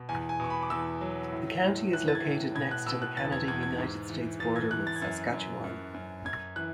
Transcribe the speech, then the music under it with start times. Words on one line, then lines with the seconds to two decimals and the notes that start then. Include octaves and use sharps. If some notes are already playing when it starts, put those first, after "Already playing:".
The county is located next to the Canada-United States border with Saskatchewan.
Already playing: B2
0.09 E2 G#5
0.29 G#5
0.39 B2 C#6
0.50 B5
0.63 D6
0.70 E2 E6
1.01 F#3
1.32 A2
1.63 A2
1.93 E3 F#6
2.08 A6
2.15 G#6
2.24 A2
2.55 B2 G#6
2.71 F#6
2.86 B2 E6
3.02 F#6
3.17 E2 A6
3.32 G#6
3.48 E2 G#6
3.63 G#6
3.78 G#2
4.10 E3
4.40 E3 A6
4.56 G#6
4.71 E3 F#6
4.87 A6
4.96 G#6
5.02 F#2 A6
5.33 F#2
5.64 F#2
5.94 F#2
6.25 F#2 G#6
6.56 E3 F#6